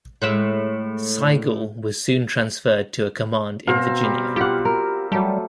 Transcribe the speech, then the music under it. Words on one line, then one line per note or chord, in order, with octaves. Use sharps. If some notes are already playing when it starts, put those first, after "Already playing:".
Sigel was soon transferred to a command in Virginia.
A2 G#3 E5
B2 C4 A#4 F5
G3
F4 G4 F#5
A#4
F#3 G3 A3